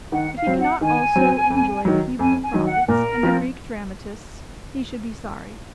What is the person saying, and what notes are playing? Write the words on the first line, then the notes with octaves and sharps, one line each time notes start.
If he cannot also enjoy the Hebrew prophets and the Greek dramatists, he should be sorry.
D#3 F#5
F5
F#3 C4
F#5
D#3 G#5
F#3 C4
F2
D#3 F#3
F2 G#5
G#5
D#3 F#3
F#5
A#2 A#4
F3 C4 F4